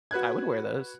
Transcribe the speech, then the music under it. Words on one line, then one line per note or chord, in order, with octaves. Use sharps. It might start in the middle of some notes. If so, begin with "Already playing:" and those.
I would wear those.
F#4 B4 F#6 G#6